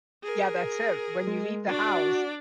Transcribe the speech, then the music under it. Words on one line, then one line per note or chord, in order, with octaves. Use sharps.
Yeah, that's it. When you leave the house,
G#4 A#4
G#3
D4 F#4 D5